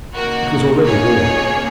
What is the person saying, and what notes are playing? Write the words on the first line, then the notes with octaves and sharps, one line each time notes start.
It was already warm.
C#3 A#3 D#4 F#4 A#4
G#4 C#5